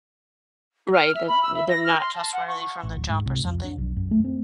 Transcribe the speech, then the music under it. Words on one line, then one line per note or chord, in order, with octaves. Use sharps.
Right, that they're not trustworthy from the jump or something.
F6
E5
B5
E6
E5
A#6
F6
C6
A5
F#5
C#6
A1
D1
G#2
C2
F2
D4
B1
F#2
A3
C4